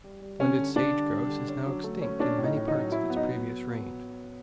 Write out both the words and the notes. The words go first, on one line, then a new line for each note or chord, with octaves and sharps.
The splendid sage grouse is now extinct in many parts of its previous range.
G3
G3
D3 C#4
D3
D3 D4
G3
G3
D3
C#4
F#3
A3
C#4
C#4 D4
A2
D#4
A2
D#4
F#3
F#3 E4
B3
D#4